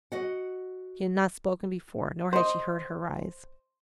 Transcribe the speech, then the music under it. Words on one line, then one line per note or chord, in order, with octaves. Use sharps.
She had not spoken before, nor had he heard her rise.
F#4 D#5 F#5
C5 D#5 C6